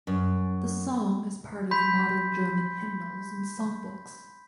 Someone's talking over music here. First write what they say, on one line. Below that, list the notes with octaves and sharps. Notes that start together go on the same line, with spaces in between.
The song is part of modern German hymnals and songbooks.
F#2
B5 C6 G6 B6